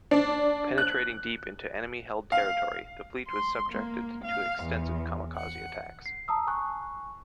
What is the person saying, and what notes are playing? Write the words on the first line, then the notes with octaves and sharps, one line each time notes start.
Penetrating deep into enemy-held territory, the fleet was subjected to extensive kamikaze attacks.
D4
F#6
F5
C6
A#3
F5
E2
F#5
C7
A5 A#5 D#6 E6
G#5 C#6 F#6